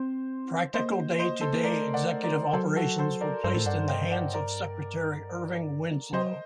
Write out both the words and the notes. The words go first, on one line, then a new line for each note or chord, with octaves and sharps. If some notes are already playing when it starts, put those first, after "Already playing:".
Practical day-to-day executive operations were placed in the hands of Secretary Erving Winslow.
Already playing: C4 C5
A#3 C5 D#5
C5 D#5
A4 C5
A#3
A3 A#4 D5
D5 F#5
A#4 D5
F#3 A4 C5
F#4 A4
A4 C5
A#4 D5
G2 A4 C5
A2
G2 D5 F#5
D#5 G5
D5 F#5
A#4 D5
F#3 C5 D#5